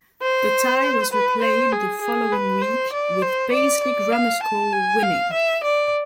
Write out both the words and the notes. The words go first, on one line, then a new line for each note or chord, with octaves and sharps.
The tie was replayed the following week with Paisley Grammar School winning.
C5
B4
C5
G#4
G#4
B4
C5
D5
C5
D5
D5
F5
A5
G#5
F5
E5
D5